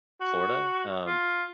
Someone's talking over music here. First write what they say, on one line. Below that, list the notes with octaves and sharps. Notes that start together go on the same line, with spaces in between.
Florida, um,
F#4
F4